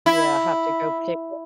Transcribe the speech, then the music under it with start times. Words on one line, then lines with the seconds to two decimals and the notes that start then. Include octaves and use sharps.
Yeah, have to go pick it.
0.06 E4